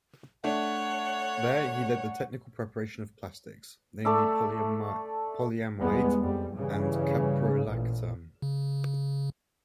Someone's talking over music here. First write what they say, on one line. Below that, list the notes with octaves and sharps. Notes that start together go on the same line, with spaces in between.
There he led the technical preparation of plastics, namely polyamide and caprolactam.
A3 D4 C#5 F#5
A3 A4 D5 E5
E2 G3 G#3 B3
F2 G3
G2 C#3 E3 G3
A1 A#2
C#3